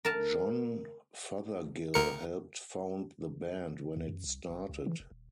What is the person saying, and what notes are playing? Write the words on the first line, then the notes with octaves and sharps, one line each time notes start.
John Fothergill helped found the band when it started.
A#4 A5
D2 A#4 C#7
D#2
F#2
C2
F1
C#2
E3
F1
D#1